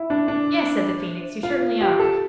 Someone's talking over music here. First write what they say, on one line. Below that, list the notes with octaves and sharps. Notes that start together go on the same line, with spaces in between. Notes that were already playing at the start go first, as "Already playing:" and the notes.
'Yes,' said the Phoenix, 'you certainly are.
Already playing: E4
D4
D4
F4
G4
A4